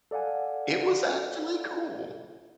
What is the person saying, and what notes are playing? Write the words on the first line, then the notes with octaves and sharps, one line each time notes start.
It was actually cool.
A4 D5 F5 F#5 G#5